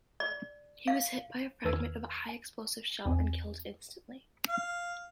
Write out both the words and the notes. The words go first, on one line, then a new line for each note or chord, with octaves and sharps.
He was hit by a fragment of a High Explosive shell and killed instantly.
D5
F5
E2 D#3 B4 E6 F6 G#6
B1 E2 C4 G#5
F5